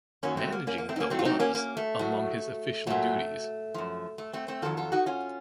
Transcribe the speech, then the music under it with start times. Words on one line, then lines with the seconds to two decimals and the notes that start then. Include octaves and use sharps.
Managing the was among his official duties.
0.23 F#2 D#3 F#3 A#3 C#4
0.37 A3 C4
0.52 A#3
0.67 A#3 C#4
0.78 A#3
0.89 A3 C4
0.96 D#4
1.00 A#3 C#4
1.10 A2 F#3 A3 C4
1.19 F4
1.25 C4 D#4
1.40 A#3 C#4
1.55 A#3 C#4
1.77 A3
1.99 A2 F#3
2.87 A#2 F#3 A3
3.74 F#2 F3
4.18 A3
4.33 A3 C4
4.48 A3 C4
4.62 F2 D#3 F#3 F4 A4
4.77 F4 A4
4.92 D#4 F#4
5.06 C#4 F4